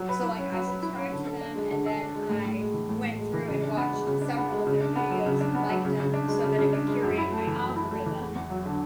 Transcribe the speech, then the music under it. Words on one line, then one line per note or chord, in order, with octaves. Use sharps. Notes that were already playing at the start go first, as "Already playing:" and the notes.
so, like, I subscribed to them and then I went through and watched several of their videos and liked 'em so that it would curate my algorithm
Already playing: F#3
B4
E4
C#4
F#3
B4
E4
C#4
D3
A4
D4
G#3
D3
A4
D4
G#3
A2
A2
G#3
E3
A2
A2
G#3
E3
C#3
D4
B3
G#3
C#3
D4
B3
G#3
C#3
D4
B3
F#3
C#3
D4
B3
F#3
C#3
C#3
D4
G#3
C#3
C#3
D4
G#3
F#2
E4
A3
E3
F#2
E4
A3
E3
E2
E2
F#3
D3